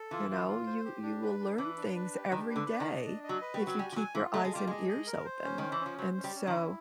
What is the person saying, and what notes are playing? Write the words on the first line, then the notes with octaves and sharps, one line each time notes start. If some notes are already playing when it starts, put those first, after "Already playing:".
You know, you you will learn things every day if you keep your eyes and ears open, and so
Already playing: A4
E3 F4
F4
F4
C5
G4
D4
B4
D4
E3 B4
D4
B4
G4
D#3 D4
B4
D3
D4
D#3
D#5
D4
D#5
F#3
B4
G3
F#4
F#3
G3 G#5
F3
F#3 G#5
E3 F4
A3 D#5
G#3
G3 F4
G#3 D#5
D#5
A#4
C5
C#4
D#3 C5
E3
C#4
F3
F#3 C5
C#4
G3
C#4
D#3
E4